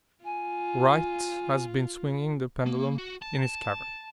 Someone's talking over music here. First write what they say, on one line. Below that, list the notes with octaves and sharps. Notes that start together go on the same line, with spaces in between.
Wright has been swinging the pendulum in his cavern.
F4 G#5
A#3
F#4
A5